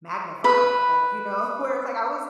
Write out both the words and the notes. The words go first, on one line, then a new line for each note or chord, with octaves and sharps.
magnified, like, you know, where it's like I was
B4 B5